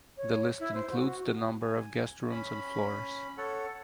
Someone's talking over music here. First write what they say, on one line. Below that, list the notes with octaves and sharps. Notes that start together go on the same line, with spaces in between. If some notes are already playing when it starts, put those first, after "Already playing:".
The list includes the number of guest rooms and floors.
C#5
E4
C5
F#4
G#5
C#4 B5
A4 C#5 F#5